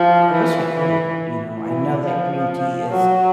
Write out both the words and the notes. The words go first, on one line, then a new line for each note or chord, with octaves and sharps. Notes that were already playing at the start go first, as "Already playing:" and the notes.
I wish I could, you know, I know that green tea is
Already playing: F3
E3
E3
E3
F3
F#3